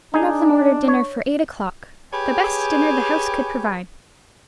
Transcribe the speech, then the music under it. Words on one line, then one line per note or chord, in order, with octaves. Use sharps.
One of them ordered dinner for eight o'clock, the best dinner the house could provide.
D4 D#4 G#4
C#5
G4 G#4 B4 C#5 G5 G#5